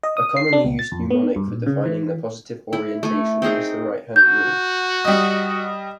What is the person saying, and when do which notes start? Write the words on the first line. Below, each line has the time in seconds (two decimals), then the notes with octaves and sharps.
A commonly used mnemonic for defining the positive orientation is the "right hand rule".
0.03 D#5
0.17 D#6
0.37 C7
0.53 D4
0.65 C#2
0.79 A6
0.92 F2
1.11 B3
1.36 G2
1.48 A#2
1.66 C#3
1.86 E3
2.73 E4
3.03 A3 G#5
3.42 C4 D#4 G#4 A#4
4.16 F#4 G6
5.05 G3 D#5